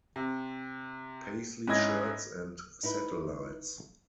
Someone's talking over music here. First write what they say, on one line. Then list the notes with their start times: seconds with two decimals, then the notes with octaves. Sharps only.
Paisley shirts and satellites.
0.16 C3
1.68 G#2 C#4 E4 D#5 G#6 A#6
2.83 D#4 E4 B4